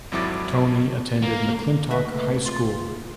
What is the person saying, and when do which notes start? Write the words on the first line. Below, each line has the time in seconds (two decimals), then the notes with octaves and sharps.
Tony attended McClintock High School.
0.12 G#1 F2 F#3 E4 D6 A6
1.22 A#3
1.91 C#3 A3 A#3 B4 D#5 E5
2.46 F4